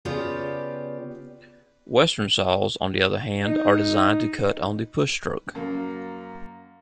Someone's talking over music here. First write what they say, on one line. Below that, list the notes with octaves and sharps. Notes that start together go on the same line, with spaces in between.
Western saws, on the other hand, are designed to cut on the push stroke.
C#3 B3 F4 G4 D5
D#4
F#2 A#3